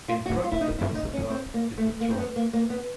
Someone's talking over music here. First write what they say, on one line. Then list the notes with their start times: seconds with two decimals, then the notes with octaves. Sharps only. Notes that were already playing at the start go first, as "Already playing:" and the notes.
In front of the bossabok is the throne.
0.08 F4
0.26 F#4
0.44 F4
0.52 E4
0.61 D#4
0.79 E4
0.95 D#4
1.14 C#4
1.30 C4
1.54 A#3
1.78 A3
2.01 A#3
2.11 C4
2.18 B3
2.36 A#3
2.53 A#3
2.70 B3